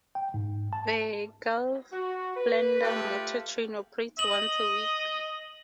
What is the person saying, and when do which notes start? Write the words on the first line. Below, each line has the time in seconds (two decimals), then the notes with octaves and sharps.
The Gulflander motor train operates once a week.
0.15 G5
0.34 G#2
0.73 A5
1.92 F#4
2.37 B4
2.83 A3 F4 G4 A4 B4
4.19 D#5 F#7